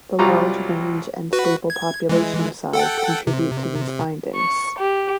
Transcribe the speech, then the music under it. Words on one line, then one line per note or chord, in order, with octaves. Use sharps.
The large range and stable population size contribute to these findings.
C2 F#3 G3 F4 A#5 C#6
F#4 B4
G#6
E3 G#3
A4 F#5 G5
C3
C#6
G4